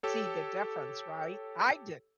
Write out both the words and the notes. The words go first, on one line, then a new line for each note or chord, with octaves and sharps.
see the difference, right? I didn't.
G4 A4 C#5